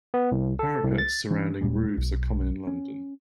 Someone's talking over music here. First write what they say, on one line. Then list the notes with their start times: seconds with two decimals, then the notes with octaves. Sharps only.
Parapets surrounding roofs are common in London.
0.14 B3
0.32 C2
0.59 A4
0.84 C2
0.98 A6
1.31 E3 C#4
1.61 D#1 A#2 G3 G#3
1.97 B1
2.67 C#4